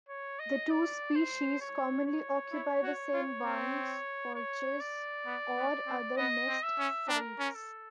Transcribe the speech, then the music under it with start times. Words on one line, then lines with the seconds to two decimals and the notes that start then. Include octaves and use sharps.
The two species commonly occupy the same barns, porches, or other nest sites.
0.09 C#5
0.39 D#5
0.71 D5
1.16 C5
1.61 C#5
2.06 C#5
2.52 E4
2.83 F#4
3.14 F4
3.44 C4
4.35 C#5
4.80 D5
5.26 B3
5.57 B3
5.87 C4
6.17 B3 D#5
6.48 C4
6.63 E5
6.79 C#4
7.09 D4 A#4
7.39 C#4
7.55 A4